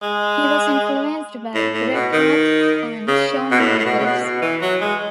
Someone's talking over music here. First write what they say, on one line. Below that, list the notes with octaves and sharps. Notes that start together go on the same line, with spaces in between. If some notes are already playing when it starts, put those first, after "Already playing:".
He was influenced by Bret Hart and Shawn Michaels.
G#3
A2
A2
B2
D#3
C#3
B2
A2
A2
B2
C#3
B2
B2
E3
F#3
G#3